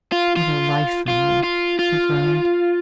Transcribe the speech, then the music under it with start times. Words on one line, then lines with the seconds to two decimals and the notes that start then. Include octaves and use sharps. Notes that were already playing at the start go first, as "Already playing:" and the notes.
"What a life for you!--" he groaned.
0.12 F4
0.36 F4
1.08 F4
1.43 F4
1.79 F4